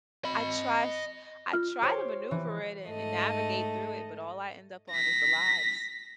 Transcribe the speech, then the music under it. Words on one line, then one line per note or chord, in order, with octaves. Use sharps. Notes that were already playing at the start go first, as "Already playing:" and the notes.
try s I try to maneuver it and navigate through it, but all I end up on is the "lives".
D#5 B5
F4 F6
G4 C5 C#5
E3
G#2 A3 D#5
A#6 B6